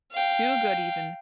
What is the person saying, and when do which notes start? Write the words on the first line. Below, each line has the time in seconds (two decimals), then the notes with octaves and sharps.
too good, even.
0.12 F5 G5